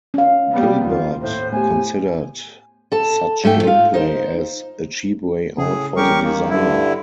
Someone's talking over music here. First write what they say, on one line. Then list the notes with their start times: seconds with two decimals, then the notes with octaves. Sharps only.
Gilbert considered such gameplay as "a cheap way out for the designer".
0.14 C#4 F5
0.51 G3 A#3 B3
0.85 D#2 A#3 F4
1.22 A2 C5
1.53 A3 B3 G4 G#5
2.92 A4 A5
3.44 G#2 A3 A4 G5
3.63 F4 F5
3.94 D#4 C5
5.58 A2 C#3 G#4
5.97 G3 C#4 G4 A#4 C#6
6.23 D#3 A#3
6.50 G2 D3 E4